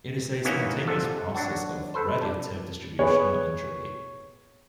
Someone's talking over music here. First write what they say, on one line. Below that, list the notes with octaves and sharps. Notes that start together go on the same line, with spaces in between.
It is a spontaneous process of radiative distribution of entropy.
D#3 E3 A#3 B3 C#4
C3 D4 F4 A4 F#5
F#3 D4 F#4
A4 B4 C5
D4 D5
B3 G#4 B4 C#5